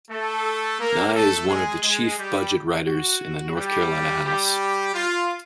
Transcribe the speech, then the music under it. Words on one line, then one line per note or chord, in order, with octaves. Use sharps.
Nye is one of the chief budget writers in the North Carolina House.
A3 A4
A#3 A#4
A3 A4
G#3 G#4
G#3 G#4
G3 G4
F#4
G3 G4
G3 G4
F4